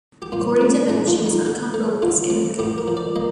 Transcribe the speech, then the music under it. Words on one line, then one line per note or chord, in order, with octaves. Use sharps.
According to Edge, he was uncomfortable with his gimmick.
G4
A#2 F4
A3
A#2 D#4
F4
A3
D#4
D3
A3
D3 F4
A3
A2 G4
A#4
F3
D5
A#3 D#5